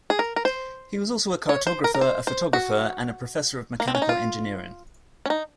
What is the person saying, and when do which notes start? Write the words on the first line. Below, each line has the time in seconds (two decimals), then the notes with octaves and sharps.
He was also a cartographer, a photographer and a professor of mechanical engineering.
0.10 G#4
0.19 A#4
0.36 A#4
0.45 C5
1.49 C#5
1.67 C5
1.84 A#4
1.95 A#4
2.01 C5
2.27 C5
2.53 F#4
3.80 A#3
3.88 C4
3.95 C#4
4.02 D#4
4.09 F4
5.26 C#4
5.30 D#4